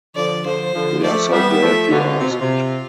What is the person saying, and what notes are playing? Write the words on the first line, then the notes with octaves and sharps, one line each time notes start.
We are so glad you asked!
D3 F3 D5
D3 F3 C5
D3 F3
F3 A3 D5
G3 B3 E5
F3 A3
B2 D3 F4
C3
B2
C3